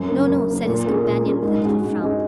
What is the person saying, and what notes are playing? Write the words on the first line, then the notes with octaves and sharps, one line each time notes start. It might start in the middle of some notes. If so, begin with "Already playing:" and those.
"No, no," said his companion, with a little frown.
Already playing: F#2
C#3 A#3
F#2
C#3 A#3
A#2
A#3 C#4 G#4
A#2
A#3 C#4 G#4
G#2
G#3 C#4 F#4
G#2
G#3 C#4 F#4